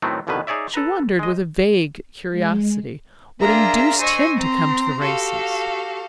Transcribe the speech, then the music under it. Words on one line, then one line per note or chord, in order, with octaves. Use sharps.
She wondered with a vague curiosity what induced him to come to the races.
A2 D#3 F#3 A3 B3 C4
A1 F2 B2 D3 D#3 B4
D#4 G#4 C#5 D5 E5
A4 B4 A#5
G#3 D#5
G#3
D4 F4 G#4 A#4 E5 A#5
C5 D#5 G#5 C#6 E6
C4 A#5 C6
F#4 G4 A4 F5